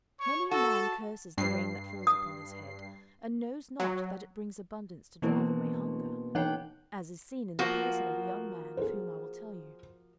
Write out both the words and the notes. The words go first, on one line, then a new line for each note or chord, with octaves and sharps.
Many a man curses the rain that falls upon his head, and knows not that it brings abundance to drive away hunger; as is seen in the person of a young man of whom I will tell you.
C#5 C#6
F#4 A4 A5
G2 C7
D#6
F#3
B2 E3 A#3 C4 D4 E4
E3 D#4 C#5 F#5 G5
F3 A#3 F#4
G#4 C5